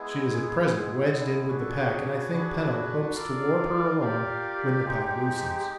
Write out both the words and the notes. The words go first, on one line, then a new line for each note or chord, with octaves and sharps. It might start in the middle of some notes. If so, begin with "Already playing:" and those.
She is at present wedged in with the pack, and I think Pennell hopes to warp her along when the pack loosens.
Already playing: G#3 B3 E4 G#4
G#3 B3 E4
D4 F#4 G#4 B4
A4
G#4
D4 F#4 B4
F4 A4 A#4 D5 F5
F4 G4 A#4 D5 F5
G#3 C4 D#4